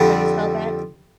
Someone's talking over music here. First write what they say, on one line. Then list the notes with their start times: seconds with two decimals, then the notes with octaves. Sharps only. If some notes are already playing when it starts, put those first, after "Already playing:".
How do you spell that?
Already playing: F2 D3 G3